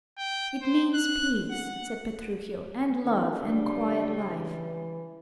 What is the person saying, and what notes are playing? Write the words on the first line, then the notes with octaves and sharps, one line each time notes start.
"It means peace," said Petruchio, "and love, and quiet life."
G5
C5
F#6
F#5
D#3
C#3 G3 D4
E3